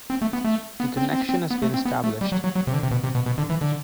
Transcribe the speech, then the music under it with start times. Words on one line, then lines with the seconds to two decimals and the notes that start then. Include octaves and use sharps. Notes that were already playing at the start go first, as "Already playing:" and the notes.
The connection has been established.
0.10 C4
0.22 A3
0.33 B3
0.45 A3
0.80 B3
0.97 C4
1.13 C4
1.29 C4
1.51 B3
1.62 A3
1.74 C4
1.85 B3
2.04 A3
2.21 G3
2.32 F#3
2.44 F#3
2.56 F#3
2.67 C3
2.73 D3
2.83 C3
2.91 B2
3.04 C3
3.15 B2
3.26 B2
3.38 D3
3.50 E3
3.61 D3